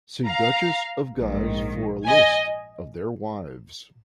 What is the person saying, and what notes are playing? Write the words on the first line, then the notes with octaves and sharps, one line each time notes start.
See Duchess of Guise for a list of their wives.
F5 A#5
A#1 G#2 D#3
D#5 G#5